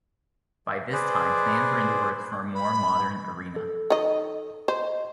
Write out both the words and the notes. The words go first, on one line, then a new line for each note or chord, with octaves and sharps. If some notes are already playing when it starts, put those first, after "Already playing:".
By this time, plans were in the works for a more modern arena.
G#4 B4 C5 D5
B5
A4
D#3 D#5
C5 D#5